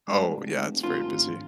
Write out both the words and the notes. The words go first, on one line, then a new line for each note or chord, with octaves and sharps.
Oh, yeah, it's very busy.
G2 G#3
F1
C#4 D4 F4 A#4
D#2 G#2 A#5